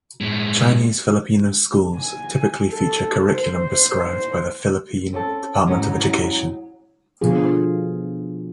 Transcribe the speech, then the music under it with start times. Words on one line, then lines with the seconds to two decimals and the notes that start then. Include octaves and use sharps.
Chinese Filipino schools typically feature curriculum prescribed by the Philippine Department of Education.
0.21 A2 G#3
1.96 G#5
2.70 A4
3.36 C5
4.10 C5
5.13 C4 C#4 G4 A4
5.66 E2 G#2 F#3 G3 C#4
7.21 B2 D3 F3 F4 G#4